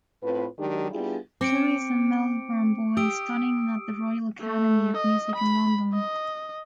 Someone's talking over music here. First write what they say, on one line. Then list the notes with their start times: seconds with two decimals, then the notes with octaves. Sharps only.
Tommy is a Melbourne boy studying at the Royal Academy of Music in London.
0.23 A2 C4 F4 B4
0.59 D#3 F#3 G#3 D4 D#4 G4
0.91 G3 B3 D4 E4 F4 G#4
1.41 C4 D6 C#7 D7
2.97 G4 D#6 E6 D7
4.41 A3
4.97 D#5
5.36 B5
5.94 D#5